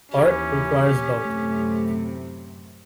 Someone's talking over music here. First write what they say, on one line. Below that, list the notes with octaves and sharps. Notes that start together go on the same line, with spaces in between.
Art requires both.
D#2 E3 C#4 G4
F#2 A2 C3 A3